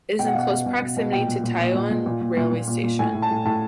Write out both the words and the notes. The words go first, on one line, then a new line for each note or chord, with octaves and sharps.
It is in close proximity to Taoyuan railway station.
B2 G5
F#5
B2 F5
F#5
B2
B2
B2
B2
A#2 G5
A#2
A#2
A#2
A#2
A#2
A#2
A#2
A#2
A#2
A#2
A#2
A2 G#5
A2
A5
A2
A2 A5